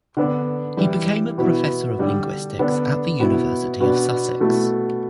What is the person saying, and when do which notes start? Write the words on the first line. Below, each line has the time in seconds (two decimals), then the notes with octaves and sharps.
He became a professor of linguistics at the University of Sussex.
0.17 D3 B3 D4
0.77 E3 G3 E4
1.38 B2 B3 E4
1.99 D3 G3 D4
2.59 D3 B3 D4
3.20 B2 B3 E4
3.80 B2 B3 D4
4.40 B2 A3 E4